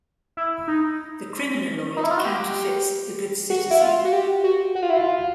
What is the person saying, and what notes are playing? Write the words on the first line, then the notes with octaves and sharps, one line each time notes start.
The criminaloid counterfeits the good citizen.
E4
D#4
D#4
E4
F4
F#4
G4
F#4
E4
F4
F#4
G4
F#4
F#4
F4
E4
F4